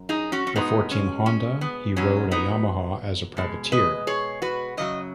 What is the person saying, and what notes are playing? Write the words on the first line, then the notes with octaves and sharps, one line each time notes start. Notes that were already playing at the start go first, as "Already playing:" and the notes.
Before team Honda, he rode a Yamaha as a privateer.
Already playing: F#2
D#4 G#4
C#4 F#4
C#4
B2 G#3 B3 D#4
C#4
C#4
B3
B2 F#3 C#4
B3 D#4
B2 G#3
B4 D#5
G#4 C#5
F#4 B4
F#2 C#3 F#3 D#5